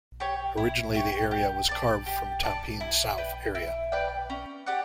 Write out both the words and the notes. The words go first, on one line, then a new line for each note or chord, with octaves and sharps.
Originally the area was carved from Tampines South area.
G4 C#5
E4
G4 C#5
G4
D5 A5
G4
D5 A5
E4
B4 D5 G5
E4
B4 D5 G5
C#4
G4 D5 F#5